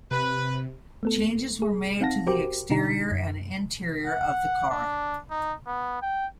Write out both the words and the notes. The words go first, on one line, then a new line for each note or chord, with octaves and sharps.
Changes were made to the exterior and interior of the car.
C3 B4
A3 B3 A4
G#4
C4 D#4 F5 F#5 A5 A#6
F#4 G4 A#4 C5 G5 D6
B2 D3 D4 D#4 G4 A#5
F#2
F#5
D4
D#4
B3
G5